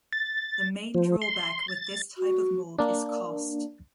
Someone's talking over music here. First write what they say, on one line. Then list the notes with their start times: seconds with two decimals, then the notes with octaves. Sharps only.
The main drawback with this type of mold is cost.
0.13 A6
0.95 F3
1.22 C6
1.68 A6
2.18 F#4
2.79 A#3 D4